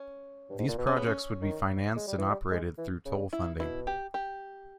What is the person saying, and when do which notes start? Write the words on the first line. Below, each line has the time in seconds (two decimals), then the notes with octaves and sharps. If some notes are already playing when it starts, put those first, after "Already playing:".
These projects would be financed and operated through toll funding.
Already playing: C#4
0.50 G2
0.59 G#2
0.68 A#2
0.78 B2
0.87 C#3 C#4
0.97 B3
1.06 C#4
1.42 D#3
1.96 G#3
2.08 G3
2.18 E3
2.30 G3
2.51 G#3
2.78 E3
3.05 C#3
3.33 E4
3.60 B2 E4
3.87 G4
4.14 G4